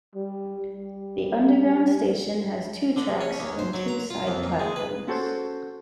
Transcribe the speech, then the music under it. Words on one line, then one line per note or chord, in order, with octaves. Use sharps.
The underground station has two tracks and two side platforms.
G3
G3
D3
A#1
C#4
D#2
C5
F#3
A#5
F4
F2
A#2
G#3
B4
C#4 F#4 A4 C5